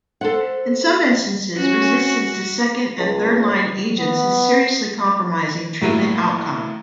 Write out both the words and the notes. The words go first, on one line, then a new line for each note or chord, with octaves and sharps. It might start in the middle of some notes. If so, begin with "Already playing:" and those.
In some instances resistance to second- and thirdline agents is seriously compromising treatment outcome.
A4 C5 F#5
C#4 F#4
C#2
B3
A2 F#3 A3 A#3